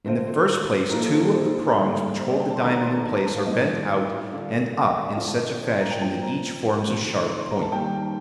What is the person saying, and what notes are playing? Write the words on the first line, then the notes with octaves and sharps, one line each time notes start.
In the first place two of the prongs which hold the diamond in place are bent out and up in such a fashion that each forms a sharp point.
D3 F3 C4 F4 C5
C5
A#2 F3 A#3 D#4 A#4
A4
A4
A4
C5
D3 G3 A#3
C5
D5
G5
A5
C6
F2 D#3 A3 D4 A#5
A#5
C6
A#5
A5
A#5
A5
F5
A2 G3 C4 D#4 D#5
D3 G3 D4 F4 F5
D5
D#5
D3 F3 C4 F5
A5
D#5
D5
C5
C5
A#5
G5
A#2 F3 C4 G5
A#5
F2 C3 D#3 A3
C6
C6
A#5
A5
D#3 G3 A#3 G5